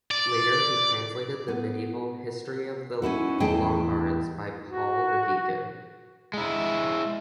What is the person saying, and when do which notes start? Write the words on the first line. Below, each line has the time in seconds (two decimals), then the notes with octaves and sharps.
Later, he translated the medieval "History of The Lombards" by Paul the Deacon.
0.11 D5
1.48 B3
3.02 C#4 D#4 E4 F#4
3.40 E2 A3 E4 G#4 D#5 G5
4.67 F#4
6.33 G#3 E4